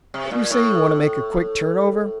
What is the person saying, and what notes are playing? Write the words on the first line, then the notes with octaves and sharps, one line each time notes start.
But you say you want to make a quick turn-over?
C3
A#2
A2